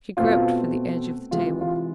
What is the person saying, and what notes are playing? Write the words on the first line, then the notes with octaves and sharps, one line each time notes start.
She groped for the edge of the table.
B2 A3 C4 F4
C3 E3 G#3 F4
F4